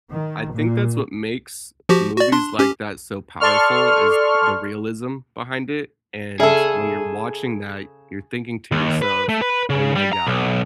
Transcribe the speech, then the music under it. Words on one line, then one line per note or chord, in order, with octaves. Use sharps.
I think that's what makes movies like that so powerful is the realism behind it, and when you're watching that, you're thinking to yourself, "Oh my god,
D#3
A#2
F3 F#4 G4
F#4 D5
D4 C6
C#4 G4
A4 D5 C6 C#6 F6
C#3 G#4 A4 D5 E5
D#2
B4
A3
B4
C#3
G3
A#5
B1